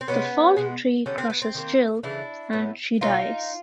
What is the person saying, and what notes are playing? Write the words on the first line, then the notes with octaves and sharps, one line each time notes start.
The falling tree crushes Jill, and she dies.
C4
C3 F3 G#3 B3 C#4
B2 G#3 B3
D3 G3 B3 C#4
C4
B3
C4
D#3 G3 A#3
C#3 E3 A3 D4 E4
A2 F#3 B3
B2 F#3 A#3 D#4 F4